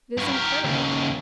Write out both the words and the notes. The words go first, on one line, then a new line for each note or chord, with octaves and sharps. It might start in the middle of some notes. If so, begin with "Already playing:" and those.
It is incredible!
G2 F#3
G4 A#4
D#2 C#3